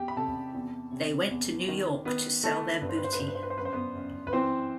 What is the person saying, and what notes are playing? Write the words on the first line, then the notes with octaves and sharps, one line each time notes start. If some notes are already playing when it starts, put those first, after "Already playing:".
They went to New York to sell their booty.
Already playing: E2 G4 G5
B5
C3 A4 A5
E2
C3
E2
D#3
D#3 B3 B4
D#3 A3 A4
G2 B4
C5
B4
C5
B4
G2 C5
B4
C5
B4
C5
F#2 B4
C5
B3 B4
F#2
B4
E3 C4 C5